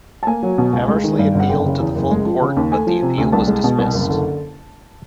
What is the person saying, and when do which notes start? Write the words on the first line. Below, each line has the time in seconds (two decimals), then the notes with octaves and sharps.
Hamersley appealed to the full court, but the appeal was dismissed.
0.23 A5
0.27 A#3 G#5
0.43 F#3
0.58 B2
0.73 C#2
0.88 G#3
1.04 D#3
1.19 G2
1.35 G1
1.40 F#5
1.49 F#1 G5
1.65 C#3
1.80 E2
1.95 F#1
2.11 G#3
2.26 F3
2.41 C#3
2.56 D#2
2.72 A3 G#5
2.87 F3
3.02 C3
3.18 D2
3.32 C2 A5
3.48 G#3
3.64 B2
3.79 C2
3.94 F#1
4.09 D3